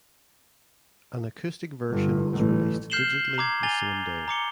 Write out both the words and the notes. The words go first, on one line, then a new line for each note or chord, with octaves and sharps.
An acoustic version was released digitally the same day.
G1
A1
F6 G6 C7 E7 F#7 G7
A#5 D6 G#6
G#5 A6 F7 G7
A#5 D6 C#7 G7